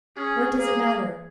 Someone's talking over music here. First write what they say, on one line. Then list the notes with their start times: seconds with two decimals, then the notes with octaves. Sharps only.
What does it matter?
0.17 C#4 G#4
0.58 A#3 G#4